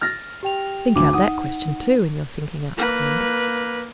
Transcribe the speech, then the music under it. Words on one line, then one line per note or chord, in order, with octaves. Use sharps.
"Think out that question, too, in your thinking out, Clorinda."
F6 A6 A#6
G4 G5 F7
D2 D6
D#4 F#5 D#6
A#3 B4